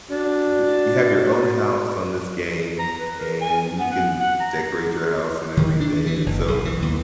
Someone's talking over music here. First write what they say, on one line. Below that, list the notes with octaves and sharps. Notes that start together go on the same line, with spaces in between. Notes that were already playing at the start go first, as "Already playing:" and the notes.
th you have your own house on this game, and you can decorate your house and everything, and so,
D4 F#4
A#5
B4
A#4
G#5
B3
F#5
F#5
A#5
D#3
D4
E3
F#1
B1
E3
D#2